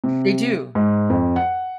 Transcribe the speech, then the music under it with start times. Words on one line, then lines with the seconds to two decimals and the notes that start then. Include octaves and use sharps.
They do.
0.04 C3
0.75 G#2
1.10 F2
1.36 F#5